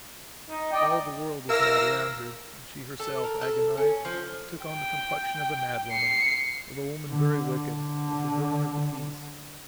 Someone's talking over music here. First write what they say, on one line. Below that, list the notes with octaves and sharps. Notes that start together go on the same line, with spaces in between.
All the world was mad around her and she herself, agonized, took on the complexion of a mad woman; of a woman very wicked; of the villain of the piece.
D#4
D5 D#5 G5
E3 A#4 E5 F5 E6 A#6
A4
A#4
A4
C#4
F3
G5
C7 C#7
D3
D3